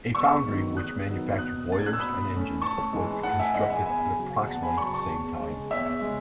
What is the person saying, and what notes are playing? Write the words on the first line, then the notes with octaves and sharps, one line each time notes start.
A foundry which manufactured boilers and engines was constructed at approximately the same time.
E2 C#6 E6
D#3 F#3 B3
E2 D#6 F#6
D#3 F#3 B3
B2 D#6 F#6
A3 C#4 A6
G#6
F#6
E6
B2 B5 D#6
A3 C#4
A2 A5 C#6
E3 G#3
A2 F#5 A5
E5 G#5
E3 G#3 D#5 F#5
E5 G#5
E2 G#5 B5
C#3 F#3
E2 F#5 A5
G#5 B5
C#3 F#3 A5 C#6
A5 C#6
E2
C#3 G#3
E2 C#5 E5
C#3 G#3